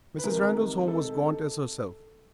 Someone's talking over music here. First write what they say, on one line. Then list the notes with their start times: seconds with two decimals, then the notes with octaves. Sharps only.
Mrs. Randal's home was gaunt as herself.
0.18 B4
0.23 C3 D#3 G#3 A#4
0.88 A4